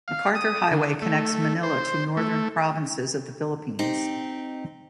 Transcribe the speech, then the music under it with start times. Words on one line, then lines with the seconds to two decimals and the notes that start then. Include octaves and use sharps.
MacArthur Highway connects Manila to northern provinces of the Philippines.
0.08 F5
0.35 D#6
0.71 D3
1.02 A3
1.63 C5
2.17 A3
3.79 C4 D#4 G4